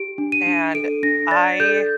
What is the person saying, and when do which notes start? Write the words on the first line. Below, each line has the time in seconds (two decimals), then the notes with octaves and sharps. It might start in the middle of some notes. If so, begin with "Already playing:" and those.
and I
Already playing: G4 D7
0.18 D4
0.32 D#7
0.47 D4
0.74 A4 D7
1.03 D4 A#6
1.31 D5 A6
1.60 A4 G6